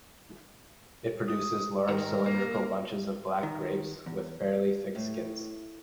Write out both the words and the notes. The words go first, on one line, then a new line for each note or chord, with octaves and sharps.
It produces large cylindrical bunches of black grapes with fairly thick skins.
D#6
G#2 D#3 A#4
A#3
D#3
E2
A2